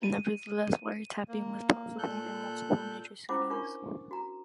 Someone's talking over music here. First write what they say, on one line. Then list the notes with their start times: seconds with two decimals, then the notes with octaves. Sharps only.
Nevertheless wiretapping was possible in multiple major cities.
0.03 D#7
1.28 A#3
1.99 A#2 A4 F#6 G6
3.29 C#4 E4 F4 C5 F#5 D6
3.50 D4 F4 A#4 C#5 C#6
4.11 F#4 A#5